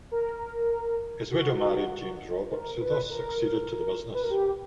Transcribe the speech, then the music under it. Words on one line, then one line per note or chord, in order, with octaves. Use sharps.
His widow married James Roberts, who thus succeeded to the business.
A#4
F#4
A#4
B4
A#4
B4
A#4
G4